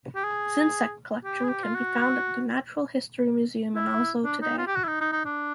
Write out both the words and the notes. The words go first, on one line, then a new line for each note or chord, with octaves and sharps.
His insect collection can be found at the Natural History Museum in Oslo today.
G4
G#4
G4
G#4
G4
F4
F#4
E4
D4
D#4
F4
G4
F#4
E4
D#4
D#4
D#4
D4